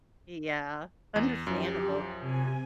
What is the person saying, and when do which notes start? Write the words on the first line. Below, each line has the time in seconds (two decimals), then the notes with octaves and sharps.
Yeah, understandable.
1.16 E2
1.47 F#2 F3 G4
2.20 C3 G#5